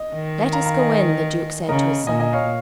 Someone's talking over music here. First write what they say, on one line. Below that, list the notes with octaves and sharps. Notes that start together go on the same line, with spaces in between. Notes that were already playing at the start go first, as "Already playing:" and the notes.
"Let us go in," the duke said to his son.
Already playing: D#5
D#3
F5 A#5
F5 A#5
D#5 G#5
C#3 A#4 D#5
A#2 D#5 G#5
D#5 G#5
C#5 F5